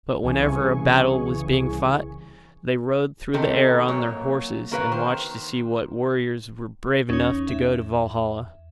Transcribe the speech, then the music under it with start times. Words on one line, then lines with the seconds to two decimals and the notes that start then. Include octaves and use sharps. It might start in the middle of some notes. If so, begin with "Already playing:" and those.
But whenever a battle was being fought they rode through the air on their horses and watched to see what warriors were brave enough to go to Valhalla.
0.23 C2 C#3 E3 G#4 G#5 C#6
3.33 C3 D#3 C4 D#4 A4
3.88 A#2 F#3 A#3 C#5
4.71 A#3 F#4 A#4 B4 C#5 F5
4.92 D#3 C5
7.09 E2 C#4 D#4 C#5
7.49 E5